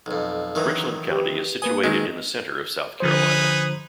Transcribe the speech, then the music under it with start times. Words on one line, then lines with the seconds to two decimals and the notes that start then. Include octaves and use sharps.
Richland County is situated in the center of South Carolina.
0.06 B1 F2
0.55 D#3 E3 F#3 A4 A#4
1.11 G4 B4
1.62 A#3 B4 G#5 D#6
1.84 D#3 G#3 C4
3.00 D3 F3 D#4 G#4 B4 C5